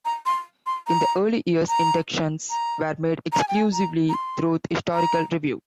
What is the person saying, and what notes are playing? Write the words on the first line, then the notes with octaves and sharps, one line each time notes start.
In the early years, inductions were made exclusively through historical review.
A#5
C6
C6
A#5
A#5
A#5
A#5
G#5
G5
G#5
A#5
A#5
C6
A#5